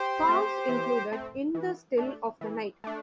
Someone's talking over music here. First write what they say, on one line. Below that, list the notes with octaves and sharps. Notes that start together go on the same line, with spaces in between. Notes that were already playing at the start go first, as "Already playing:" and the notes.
Songs included "In the Still of the Night".
Already playing: G4 C5
A3 C4
E3
A3 C4
E3
A3 D4
E3
A3 D4